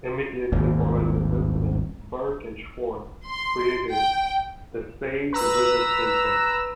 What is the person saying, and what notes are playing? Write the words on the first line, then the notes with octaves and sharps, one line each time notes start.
Immediately following this incident, Berk and Schwartz created the Save The Wizard Campaign.
D#1 G#1 A2 A#3
C6
G5
B4 A#5 E6